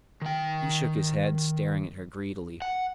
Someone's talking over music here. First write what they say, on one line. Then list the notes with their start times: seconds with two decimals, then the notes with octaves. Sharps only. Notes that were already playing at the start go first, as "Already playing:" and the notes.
He shook his head, staring at her greedily.
0.22 D#3 G5
2.62 F#5